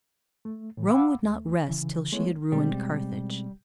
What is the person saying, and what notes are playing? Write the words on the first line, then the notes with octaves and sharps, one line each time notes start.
Rome would not rest till she had ruined Carthage.
A3
A2 E3
F5 F#5 B5 D6 E6
D#2 A3
C#3 E3
G#3 A3 B3 E4 C#5
B2 G3 G#3 C4